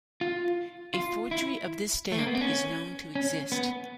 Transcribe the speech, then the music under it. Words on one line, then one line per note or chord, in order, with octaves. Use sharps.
A forgery of this stamp is known to exist.
F4
F4
E4
A3
A#3
B3
C4
C#4
C#4
B3